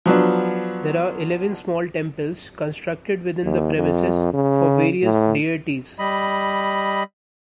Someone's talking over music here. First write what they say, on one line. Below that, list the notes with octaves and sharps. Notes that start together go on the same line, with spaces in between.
There are eleven small temples constructed within the premises for various deities.
F3 F#3 B3 D4
D#2
F2
C#3
A2
G3 D#5 B5